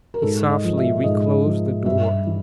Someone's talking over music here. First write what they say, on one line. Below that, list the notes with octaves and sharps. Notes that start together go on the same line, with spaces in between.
He softly reclosed the door.
A#4
G#2 A4
D#5
F3
E5
G#2 D#5
F3
G2 E5
E3